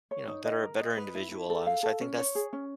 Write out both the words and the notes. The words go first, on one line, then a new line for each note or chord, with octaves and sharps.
you know, better better individual, um, so I think that's
C#5
D#4
D#5
A#4
D#5
B4
E4
E4
A4
F5
A4
C#4
C#5
G#4
C#4